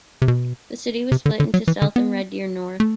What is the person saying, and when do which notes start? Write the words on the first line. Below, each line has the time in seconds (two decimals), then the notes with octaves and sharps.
The city was split into South and Red Deer-North.
0.22 C3
0.28 B2
1.12 C3
1.26 D3
1.40 D3
1.54 F#3
1.68 E3
1.82 D3
1.96 B3
2.80 A3